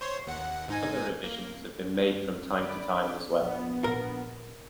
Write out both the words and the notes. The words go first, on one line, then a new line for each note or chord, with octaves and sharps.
Other revisions have been made from time to time as well.
C5 C#5 C6
D#2 F#5
G#2 D#4 G#5
A#3
D4 D5 B5 D6
A#1 B3
A#2 A#4